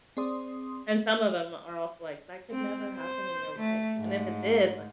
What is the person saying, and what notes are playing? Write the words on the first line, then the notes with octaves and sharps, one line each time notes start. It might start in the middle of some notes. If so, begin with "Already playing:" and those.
And some of them are also like, "That could never happen in real life." And if it did, like,
C4 G#4 D5 C6 D#6
C4
C5
A3
G#2